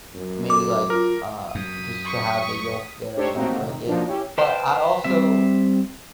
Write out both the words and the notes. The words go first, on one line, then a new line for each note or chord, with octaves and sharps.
maybe, like, uh, just to have the yolk there and don't break it. But I also,
F#2
A4 D6
F4 A#4
F#2 D#6 B6
C#6
D4 D#4 G4 A4 C5 C#5
A3 A#3 C4 D#4 F#4 G4
C3 D#3
B2 F3 A#3 D4 D#4
C#4 E4 G4
B4 C5 F5 G5 A5
G3 C4 E5